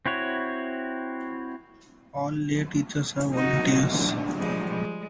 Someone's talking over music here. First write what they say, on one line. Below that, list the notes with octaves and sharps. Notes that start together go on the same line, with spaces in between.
All lay teachers are volunteers.
C4 E4 F#4 C#5
D#4 F#4
D3
F3 G3 G#3
G#3